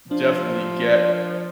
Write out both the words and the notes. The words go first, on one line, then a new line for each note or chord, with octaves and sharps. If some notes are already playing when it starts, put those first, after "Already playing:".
definitely get
F3 D4